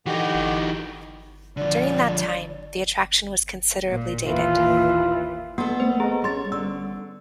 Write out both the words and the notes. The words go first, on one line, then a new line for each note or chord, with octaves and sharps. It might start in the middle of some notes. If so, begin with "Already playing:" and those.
During that time, the attraction was considerably dated.
D3 E3 D#4 F#4 G4
D3 F3 D5
A#2
D#2 A#2 E3 F4
A#3 B3 A4
A3 A#3 C4 C5
G#4 D#5 F#5 A#5
G3 C#4 C#5 C6 A6
D3 E6